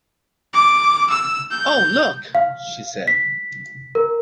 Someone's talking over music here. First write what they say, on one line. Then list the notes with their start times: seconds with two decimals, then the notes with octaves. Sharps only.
"Oh, look," she said.
0.53 D6
1.10 E6
1.51 G6
2.35 F5
3.08 B6
3.95 A#4